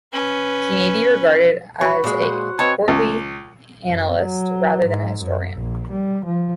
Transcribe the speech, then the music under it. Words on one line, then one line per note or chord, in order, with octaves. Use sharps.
He may be regarded as a courtly annalist rather than an historian.
C#4 B4
F#4 C#5 B5
A#2 G#3
C5 C#5 F#5
C4 B4 C#5 D#5 A5
C#2
F#2
F#3
G#2
F#2
A#1
G3
F3